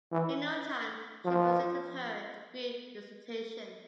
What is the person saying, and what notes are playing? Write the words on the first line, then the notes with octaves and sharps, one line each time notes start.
In no time she presented her degree dissertation.
E3
F3